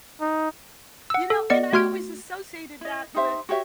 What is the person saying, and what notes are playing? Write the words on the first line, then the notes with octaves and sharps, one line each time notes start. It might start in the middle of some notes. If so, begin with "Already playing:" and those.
You know, and I always associated that with
D#4
F#5 E6
A4
B3 D5 D#5 C#7
A3 F#4 C6 F6 G#6 D7
E4 D#5
D#4 G4 C5 E5
F#4 G4 C#5 E5